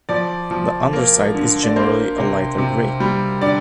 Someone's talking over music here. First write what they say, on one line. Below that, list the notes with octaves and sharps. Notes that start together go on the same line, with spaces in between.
The underside is generally a lighter gray.
F3 D5
F3
A#3
D3
D5
A#3 C5
C3
C3
G3
D3 D5